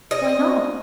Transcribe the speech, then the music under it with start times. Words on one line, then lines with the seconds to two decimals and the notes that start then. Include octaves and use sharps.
"Why not?"
0.11 C5 D5 D#5